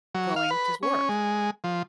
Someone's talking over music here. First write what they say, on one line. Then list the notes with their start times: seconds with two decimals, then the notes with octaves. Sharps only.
going to s work.
0.15 F#3
0.36 F5
0.51 B4
0.83 C#4
1.09 G#3
1.64 F3